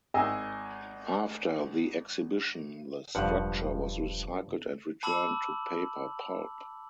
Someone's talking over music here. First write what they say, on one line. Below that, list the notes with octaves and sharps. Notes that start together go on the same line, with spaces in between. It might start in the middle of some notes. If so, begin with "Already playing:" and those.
After the exhibition the structure was recycled and returned to paper pulp.
G#1 G#4 D#5 G#5 E6
E1 G2 F3 F#5
A5 B5 D6 E6 F#7